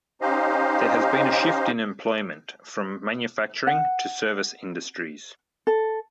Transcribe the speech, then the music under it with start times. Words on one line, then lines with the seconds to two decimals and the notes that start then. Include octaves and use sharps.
There has been a shift in employment from manufacturing to service industries.
0.21 C#4 D#4 G4 C5 D#5 F5
3.67 F#5
5.67 A4